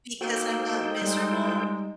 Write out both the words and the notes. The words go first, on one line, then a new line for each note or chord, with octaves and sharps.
because I'm not miserable
A#3 D#4 F#4 A4 C5 G5
G3 G#3